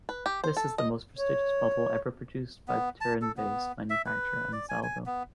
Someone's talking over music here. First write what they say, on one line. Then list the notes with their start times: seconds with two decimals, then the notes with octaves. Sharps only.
This is the most prestigious model ever produced by the Turin-based manufacturer Ansaldo.
0.09 B4
0.26 G4
0.44 C5
0.57 A4
0.78 D#5
1.19 C#5
2.68 B3
3.01 A5
3.22 A4
3.37 B3
3.90 E5
4.06 B4
4.52 D5
4.69 G#5
4.83 G#5
5.06 B3